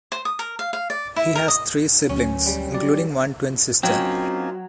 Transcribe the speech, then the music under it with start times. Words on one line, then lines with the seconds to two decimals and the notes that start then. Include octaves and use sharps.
He has three siblings, including one twin sister.
0.12 C5
0.25 D#6
0.39 A#4
0.59 F5
0.73 F5
0.90 D5
1.16 E4
1.36 A#4
1.48 D#5
2.09 D2 F#3 C#4
2.46 G3
2.72 F#3 D5
3.83 F#3 A#3 C4 C#4 D#4 F4 G5